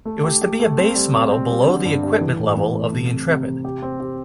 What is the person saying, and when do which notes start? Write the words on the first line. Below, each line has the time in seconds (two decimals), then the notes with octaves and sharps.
It was to be a base model below the equipment level of the Intrepid.
0.05 A3
0.24 G4
0.42 G4
0.60 A3
0.78 C4
0.95 G3
1.14 C4
1.31 C4
1.50 G3
1.67 D3
1.85 G2
2.03 G3
2.21 E3
2.39 A2
2.57 E3
2.75 A3
2.92 C3
3.10 C3
3.29 C3
3.46 C3
3.65 G4
3.82 C4
4.00 G4